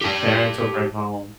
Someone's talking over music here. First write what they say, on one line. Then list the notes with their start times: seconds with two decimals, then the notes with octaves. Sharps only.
parents will bring home."
0.01 G4 A5